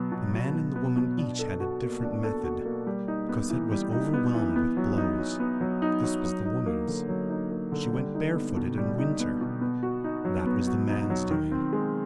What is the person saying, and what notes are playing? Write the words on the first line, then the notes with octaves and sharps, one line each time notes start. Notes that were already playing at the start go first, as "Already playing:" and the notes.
The man and the woman each had a different method: Cosette was overwhelmed with blows--this was the woman's; she went barefooted in winter--that was the man's doing.
Already playing: B2 F#3 B3
B2
F#3
B2
B3
B2
D4
A4
F#4
A#3
D4
A4
F#4
A#3
G3
D#4
B3
E3
G3
D#4
B3
E3
B3
F#3
D#4
F#3
B3
F#3
D#4
F#3
F#3
D#4
A#3
D3
F#3
D#4
A#3
D3
G3
D#4
B3
B2
G3
D#4
B3
B2
B3
F#4
D#4
F#3
B3
F#4
D#4
F#3
D#3
C4
G#3